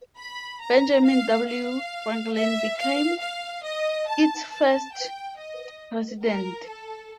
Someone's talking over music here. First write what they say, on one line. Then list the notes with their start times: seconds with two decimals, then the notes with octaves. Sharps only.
Benjamin W. Franklin became its first president.
0.17 B5
0.61 A#5
1.04 F5
1.47 F5
2.33 E5
2.77 F5
3.20 F5
3.63 D#5
4.07 A5
4.50 A5
4.93 G5
5.37 D#5
6.23 A#4
6.66 A4